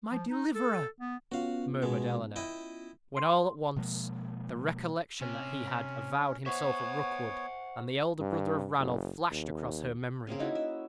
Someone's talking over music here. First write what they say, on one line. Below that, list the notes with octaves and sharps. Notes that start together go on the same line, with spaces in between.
"My deliverer!" murmured Eleanor; when all at once the recollection that he had avowed himself a Rookwood, and the elder brother of Ranulph, flashed across her memory.
F3
D#4
A4
B3
B3 C#4 F4 F#4 F5
B2 G#3
E4 D#5 G5
C6
B2 F3 G#3 A#3
C3 C#4
B3 C5 C#5 E5 F#5 C#6
G2
F#1
D#2
C#3 A#3 C4 C#4
C#4 D#4 E4 F#4
E5